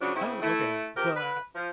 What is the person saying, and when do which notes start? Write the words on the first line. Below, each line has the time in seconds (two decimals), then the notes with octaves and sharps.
Oh, okay, so, uh
0.01 C#3 F3 F#3 C#4 D4
0.15 C#3 C4 E4
0.42 A3 E4
0.96 C3 F3 G4 A#4
1.15 B4
1.55 F3